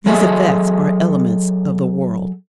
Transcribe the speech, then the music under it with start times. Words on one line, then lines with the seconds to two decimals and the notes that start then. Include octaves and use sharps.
These effects are elements of the world.
0.06 F#3 G#4 A4 D#5 E5